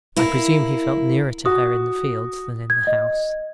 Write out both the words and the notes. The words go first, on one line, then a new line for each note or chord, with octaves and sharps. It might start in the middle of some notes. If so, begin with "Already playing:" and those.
I presume he felt nearer to her in the fields than in the house.
A#3 E4
F#4 D#6
G#6
D#5